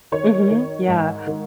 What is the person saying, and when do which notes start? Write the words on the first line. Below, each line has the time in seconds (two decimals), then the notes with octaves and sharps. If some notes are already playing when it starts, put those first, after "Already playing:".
Mhm. Yeah.
0.12 D#3 C#5
0.50 D#3
0.88 G#2
1.27 D#3